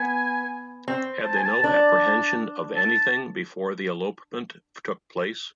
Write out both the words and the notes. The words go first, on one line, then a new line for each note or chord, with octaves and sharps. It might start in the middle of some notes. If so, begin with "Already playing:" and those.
Had they no apprehension of anything before the elopement took place?
Already playing: B3 G#5
C4
A5
G#5
A5
D4 A5
A5